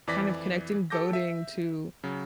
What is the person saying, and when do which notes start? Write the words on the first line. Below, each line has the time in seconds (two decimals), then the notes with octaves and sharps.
kind of connecting voting to
0.07 F2 E3 D5 A#6 B6
0.90 G4 A4 D6 G6 A#6
1.13 E5
2.04 C#3 F#3